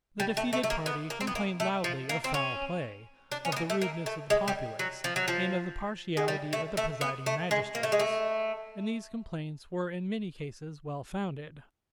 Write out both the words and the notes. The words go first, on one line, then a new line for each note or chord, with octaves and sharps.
The defeated party complained loudly of foul play, of the rudeness of the populace, and of the partiality of the presiding magistrates; and these complaints were in many cases well founded.
G3
A3
A3
A3
A#3
B3
A#3
C4
B3
A#3
A3
F3
A#3
C4
C#4
D4
C#4
B3
A#3
A3
A#3
A3
G#3
G3
F#3
F3
F#3
F3
G#3
G3
A3
A3
B3
A3
G#3
A#3
A3
G#3
A3